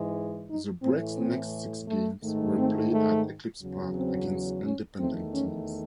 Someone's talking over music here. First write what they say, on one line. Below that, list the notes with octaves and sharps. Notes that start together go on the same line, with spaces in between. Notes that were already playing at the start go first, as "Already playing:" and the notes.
The Brecks next six games were played at Eclipse Park against independent teams.
Already playing: G#2 E3 G#3
D#4
A2 E3 A3 C4
C4
A3
G#2 D#3 A3
C4
A3
E2 C#3 F#3
C4
C#4
E2 D#3 A3 C4
C#4